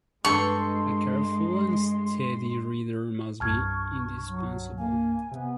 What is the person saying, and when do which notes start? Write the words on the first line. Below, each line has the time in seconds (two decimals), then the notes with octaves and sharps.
A careful and steady reader must be indispensable.
0.25 G2 G#3 A4 C6 C#6
3.40 C2 G2 A5 C#6 F6 G#6
4.25 F#3
4.78 A#3 G#5
5.31 C3 B3